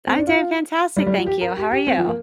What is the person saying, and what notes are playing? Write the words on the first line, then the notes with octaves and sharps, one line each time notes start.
I'm doing fantastic, thank you. How are you?
C4
D4
F4
G3
G3
F3
G4
A#4
G4
G4
C4
F3
A#3